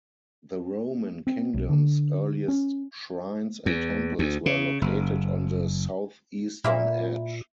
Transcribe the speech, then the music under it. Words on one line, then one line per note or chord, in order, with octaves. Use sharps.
The Roman Kingdom's earliest shrines and temples were located on the southeastern edge.
C4
B1
D3
C#4
E2
D2
C#3
F#1
A#2 A#3 E4